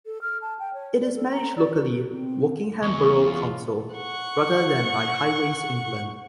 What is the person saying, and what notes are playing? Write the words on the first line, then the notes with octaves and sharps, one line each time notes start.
It is managed locally, Wokingham Borough Council, rather than by Highways England.
A4
F6
A5
G5
C#5
D5
A4
A#5
D5
F#4
C4
E2 C#6
F4
F#5 C#6